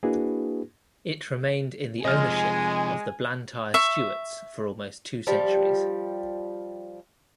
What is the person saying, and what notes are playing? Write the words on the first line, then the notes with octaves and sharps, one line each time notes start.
It remained in the ownership of the Blantyre-Stewarts for almost two centuries.
A#3 D4 E4 F#4 G#4 B4
C3 F3 G#3 D#5 G#5 F6
E5 C#6
F3 G3